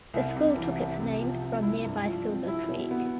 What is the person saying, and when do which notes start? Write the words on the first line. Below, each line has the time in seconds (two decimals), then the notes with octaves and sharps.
The school took its name from nearby Silver Creek.
0.14 C2
0.36 C3
0.56 E3
0.78 C2
0.99 C3
1.20 F3
1.42 C4
1.62 E4
1.85 G2
2.05 F3
2.27 C4
2.48 E4
2.70 B2
2.91 B3